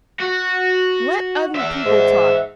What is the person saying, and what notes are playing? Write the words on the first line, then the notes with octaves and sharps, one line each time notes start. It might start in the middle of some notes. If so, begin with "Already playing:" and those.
Let other people talk.
F#4
E5 F#5
G#2